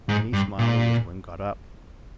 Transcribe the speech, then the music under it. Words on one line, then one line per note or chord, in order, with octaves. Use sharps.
Then he smiled a little and got up.
G#2
G2
A#2